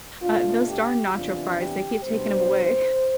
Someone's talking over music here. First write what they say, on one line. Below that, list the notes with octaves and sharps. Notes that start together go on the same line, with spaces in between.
Uh, those darn nacho fries, they keep taking 'em away.
B2 A3 D4 F4
G4
E2 C3 E3 B3 D4 F4
G4
B2 G3 D4 C5